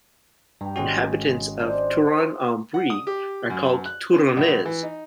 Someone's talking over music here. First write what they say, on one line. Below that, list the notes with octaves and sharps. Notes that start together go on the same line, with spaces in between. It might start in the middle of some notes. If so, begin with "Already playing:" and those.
Inhabitants of Tournan-en-Brie are called "Tournanais".
G2 G4 A#5
G#1 G#3 C#4 D#4 F#4
D4 D#4 C5
F#5
D#6
G4
F#2
F#6
C#4
A#1
E3
D#4